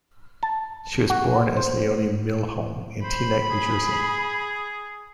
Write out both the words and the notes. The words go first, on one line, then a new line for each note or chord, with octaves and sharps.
She was born as Leonie Milhomme in Teaneck, New Jersey.
A5
F#4
C5
C5 B5
G#4